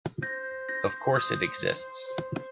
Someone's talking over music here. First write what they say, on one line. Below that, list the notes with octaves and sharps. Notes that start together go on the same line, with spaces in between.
Of course it exists!
C5 G6 A#6
G6 A#6
D#6 G6
C5